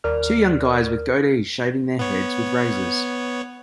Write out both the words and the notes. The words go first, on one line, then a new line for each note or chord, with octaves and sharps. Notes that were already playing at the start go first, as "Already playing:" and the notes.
Two young guys with goatees shaving their heads with razors.
D#2 A#4 D5 F6
B3 C#5